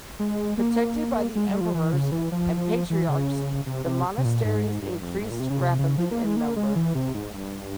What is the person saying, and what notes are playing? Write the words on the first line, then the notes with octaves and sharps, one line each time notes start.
Protected by the emperors and patriarchs the monasteries increased rapidly in number.
G#3
A#3
G#3
G3
F3
E3
C#3
E3
F3
E3
C#3
C3
C3
C3
A#2
G#2
G2
F2
G#2
A#2
C3
C#3
C3
C#3
F3
A#3
G#3
A#3
G#3
E3
C3
G#2
G2